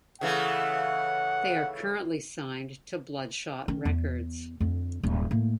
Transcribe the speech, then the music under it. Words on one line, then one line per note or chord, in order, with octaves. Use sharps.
They are currently signed to Bloodshot Records.
C#3 E3 A3 F#5
D#3 C#4
E2
F2 D3
D#1 G#1
A2 A#3